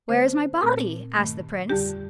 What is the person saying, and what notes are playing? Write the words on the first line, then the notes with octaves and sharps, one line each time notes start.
"Where is my body?" asked the Prince.
D3 A3 C4 C5
A#2 A3 C4 A#4
G2 D#3 A3
F2 D3 G3 G4